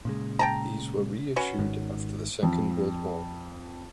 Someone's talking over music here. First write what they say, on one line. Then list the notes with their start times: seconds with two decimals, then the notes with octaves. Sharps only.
These were reissued after the Second World War.
0.05 A#2 C#3 G#3
0.39 G5 A5 A#5
1.36 C#4 F#4 B4
1.59 G#1 G#2 D#3
2.43 F2